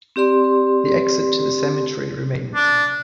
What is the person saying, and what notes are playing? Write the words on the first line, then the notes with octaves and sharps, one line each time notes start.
The exit to the cemetery remains.
C4 G4 D5 C6
D4